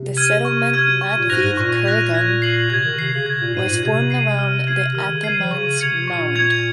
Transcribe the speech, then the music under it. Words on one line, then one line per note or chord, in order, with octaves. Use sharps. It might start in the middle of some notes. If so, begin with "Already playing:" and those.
The settlement Matveev Kurgan was formed around the ataman’s mound.
Already playing: C3
F6 G#6 D#7
C#6
F6 G#6 D#7
C3 C#6
A#2
G#2 F#6 A#6 F7
G#2
A#2 C#6
F#6 A#6 F7
G#6
C7 F#7
C3 G#6
D#3
C3 C7 F#7
C#3
C3 G#6
A#2
G#2 C7 D#7 F#7
A#2
C3 G#6
C7 D#7 F#7
F6
G#6 C7 D#7 F#7
D#3 F6
C#3
D#3 G#6 C7 D#7 F#7
F3
C#3 C#6
C3 G#6 C#7 F7
A#2 C#6
G#6 C#7 F7